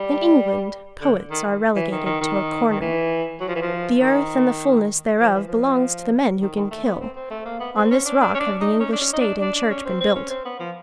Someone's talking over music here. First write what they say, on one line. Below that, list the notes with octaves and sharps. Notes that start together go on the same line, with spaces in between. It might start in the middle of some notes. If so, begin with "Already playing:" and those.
In England poets are relegated to a "Corner." The earth and the fulness thereof belongs to the men who can kill; on this rock have the English State and Church been built.
Already playing: G3
D3
D#3
E3
D#3
D#3
D#3
D#3
E3
F#3
F3
E3
F3
D#3
F3
E3
F3
D#3
D#3
A3
B3
C4
C4
A3
A#3
B3
C4
C#4
D4
D4
C#4
D4
D#4
C#4
D4
C#4
D#4
D4
D4
D4
C#4
C4
C4
C#4
C4
B3
F3